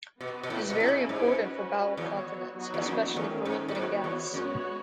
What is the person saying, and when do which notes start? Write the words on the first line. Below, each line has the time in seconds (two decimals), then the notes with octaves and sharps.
It is very important for bowel continence, especially for liquid and gas.
0.20 B2 B3 F#4 B4
0.43 B2
0.50 A2
0.70 B2
0.80 A2 C#4 E4 G#4
1.09 G#2
1.39 C#4 F#4 B4
1.97 E2 F#3 B3 F#4 C#5
2.57 F#3 B3 D#4 F#4
2.74 E2
2.86 F#2
3.16 E2 D#3 A3 C#4
3.45 G#2
3.68 A2
3.75 G#2 B3 F#4 C#5
4.04 E2
4.34 F#2 G#3 B3 F#4 C#5